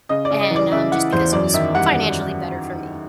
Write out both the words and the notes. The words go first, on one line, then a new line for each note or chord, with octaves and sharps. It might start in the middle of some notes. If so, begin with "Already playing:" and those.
and, um, just because it was financially better for me,
C#3 D#5
D5
C#3
D#5
E3
D5
C#3 E5
E3 F#5
E2 C5
F#2 D5
D#3 E5
G3 F#5